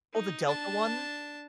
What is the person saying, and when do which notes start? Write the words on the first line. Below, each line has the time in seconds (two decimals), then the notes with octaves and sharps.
Oh, the Delta one?
0.13 D#4
0.47 D4 A5